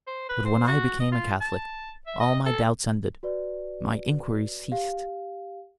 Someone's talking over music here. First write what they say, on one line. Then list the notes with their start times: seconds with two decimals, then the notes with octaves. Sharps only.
But when I became a Catholic all my doubts ended, my inquiries ceased.
0.07 C5
0.29 B4
0.45 C5
0.67 F#4
1.00 D#5
1.12 F4
1.40 A5
2.07 E5
2.20 D#5
2.46 A4
3.23 F#4 B4 D5
4.72 G4 F5